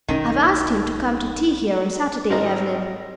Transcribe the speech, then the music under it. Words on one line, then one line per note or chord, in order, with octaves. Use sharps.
I've asked him to come to tea here on Saturday, Evelyn.
B1 D#3 C#4
G#1 C4 A#4 D#5 A#5